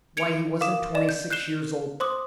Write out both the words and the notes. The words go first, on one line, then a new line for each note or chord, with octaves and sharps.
Why, he wasn't twenty-six years old.
G#6 C#7 D7 F7
A#4 F5 D6 D#6 E7
D5 D#5 E7
G6
F#6 G6 C7 E7 G7
C5 C6 D6 D#6